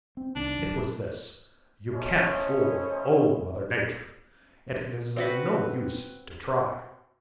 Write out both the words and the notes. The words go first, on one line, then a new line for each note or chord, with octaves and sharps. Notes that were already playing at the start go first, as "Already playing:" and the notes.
It was this: You can't fool Old Mother Nature, and it is of no use to try.
C4
C2 D#3 D4
F#2
A3 C#4 E4 C5 C#5 D#5
C4 F#4 B4